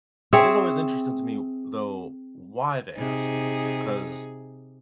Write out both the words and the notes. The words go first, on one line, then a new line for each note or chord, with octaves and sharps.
It is always interesting to me, though, why they ask it, 'cause
C4 G#4 C#5 E5
C3 D#4 G#4